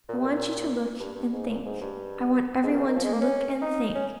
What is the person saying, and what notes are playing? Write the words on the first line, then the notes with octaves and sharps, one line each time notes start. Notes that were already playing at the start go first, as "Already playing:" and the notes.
I want you to look and think. I want every one to look and think.
A#2
C3
A#2
G2
G2
G#2
A#2
G#2
G2
G#2
A#2
C#3
D#3
F3
G#3
A#3
C#4
D#4
C#4